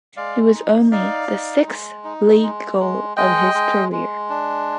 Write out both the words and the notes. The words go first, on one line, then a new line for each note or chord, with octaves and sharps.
It was only the sixth league-goal of his career.
G#3 D5 F5
D#4
D#4 D5 F5
D#4
G#3
D#4
G#3
G#3
G#3 D#5 G5
G#3
G#3
D4